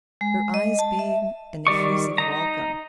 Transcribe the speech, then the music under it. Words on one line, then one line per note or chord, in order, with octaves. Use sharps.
Her eyes beamed an effusive welcome.
G#3
D#5
A5
E5
D#3 G3 D5 C#6
D#4 A#5